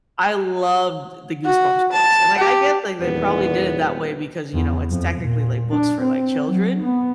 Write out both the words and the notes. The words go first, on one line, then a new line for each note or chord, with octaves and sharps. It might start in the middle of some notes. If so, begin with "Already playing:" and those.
I loved the Goosebumps books, and, like, I guess, like, they probably did it that way because, you know, it's technically, like, books for, like, children,
F#4
A5
G4
D#1 E2 B3
E2
F2
A#2
D4
C4
F#3
B3